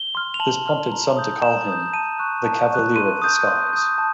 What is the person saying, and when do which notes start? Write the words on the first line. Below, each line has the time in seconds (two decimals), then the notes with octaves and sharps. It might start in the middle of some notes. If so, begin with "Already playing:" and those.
This prompted some to call him, "The Cavalier of the Skies".
Already playing: G7
0.15 C6 F6
0.34 F7
0.40 A5 F#7
0.66 C6 F6
0.91 A#5
1.17 D#6 G6
1.42 A#5 E7
1.68 D#6 G6
1.93 A5 D#7
2.19 C#6 F#6
2.45 A5
2.70 C#6 F#6
2.96 C6 D#7
3.22 D#6 G6
3.47 C6
3.73 D#6 G6
3.98 A5